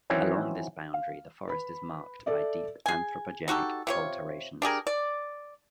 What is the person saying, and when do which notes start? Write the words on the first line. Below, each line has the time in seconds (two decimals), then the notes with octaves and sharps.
Along this boundary the forest is marked by deep anthropogenic alterations.
0.10 D#3 E3 F#3 C4 C#4
0.94 F5
1.48 B4 B5
2.26 A4 D5 E5
2.86 G#4 G#5
3.48 D#4 F#4 G4 A4
3.87 C3 F4 C#5
4.62 D4 G4 G#4 A#4
4.87 D5